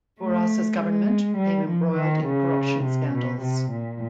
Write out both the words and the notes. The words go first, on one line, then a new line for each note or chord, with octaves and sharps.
Bourassa's government became embroiled in corruption scandals.
A3
G#3
G3
F3
D#3
C#3
C3
B2
C3
A#2